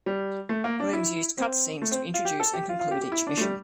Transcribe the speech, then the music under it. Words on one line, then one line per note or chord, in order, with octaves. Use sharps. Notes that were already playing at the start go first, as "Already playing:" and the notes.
Williams used cut scenes to introduce and conclude each mission.
G3
A3
A#3
D4
E4
C4
A3
C4
F4
G4
A4
G4
F4
F4
G4
G4
E4
D4
A3
G3